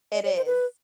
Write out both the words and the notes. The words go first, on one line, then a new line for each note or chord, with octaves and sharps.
It is.
D5
C#5
C5
B4